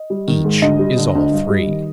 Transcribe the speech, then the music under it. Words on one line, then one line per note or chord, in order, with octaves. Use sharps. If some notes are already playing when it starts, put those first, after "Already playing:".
Each is all three.
Already playing: D#5
G3
D#3
G#2
D2 D#5
G3
D3
D2
G2
G3
D#3